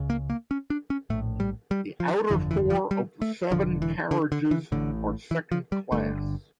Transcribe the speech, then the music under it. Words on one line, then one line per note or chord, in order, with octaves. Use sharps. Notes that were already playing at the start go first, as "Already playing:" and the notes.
The outer four of the seven carriages are second class.
Already playing: C#2 C#3
A#3
A#3
C#4
D4
C#4
A#1 A2 A3
G3
G3
F3
G1 F2 D3 E3
E3
F3
G3
A3
E1 D2 D3 F3
E3
D3
D3
E3
A1 A2 D3
E3
F3
G3
G1 G2 D3 A3